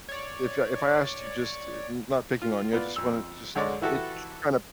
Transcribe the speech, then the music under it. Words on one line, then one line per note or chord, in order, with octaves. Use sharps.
if I if I asked you just n not picking on you, I just want to just it j kinda
C#5 D5
F4
B3 F4 D5
F2 E6
F#2 D3 G#3 C#5 D5 D6
E3 E4 F#4 G4 A4